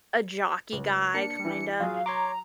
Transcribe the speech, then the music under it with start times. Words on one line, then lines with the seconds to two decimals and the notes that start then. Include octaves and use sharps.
a jockey guy kinda,
0.73 C#2
1.14 A#3 D4 C#7
1.45 E3
1.80 F#3 F4 G#4 F5
2.06 C#5 A#5 C6 D6